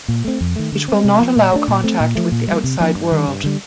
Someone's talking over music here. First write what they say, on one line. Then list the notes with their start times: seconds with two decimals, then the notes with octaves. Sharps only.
It will not allow contact with the outside world.
0.08 A#2
0.25 A3 C4
0.41 F2
0.56 D#3 A3
0.72 D3
0.88 G3 C4
1.04 C3
1.20 F3 A#3
1.36 A#2
1.52 A3 D4
1.68 A#2
1.84 A3 C4
2.00 A#2
2.15 F3 A3
2.32 A#2
2.48 G3 A#3
2.64 C3
2.80 F3 A#3 D4
2.95 G2
3.11 D#3 G3
3.28 G2
3.44 D3 G3